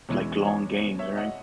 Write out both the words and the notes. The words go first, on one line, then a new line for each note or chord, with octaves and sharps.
like, long games, right?
E2 B2 G#3 C#4 E4 C#5
C#5
C#5 E5
D#5 F#5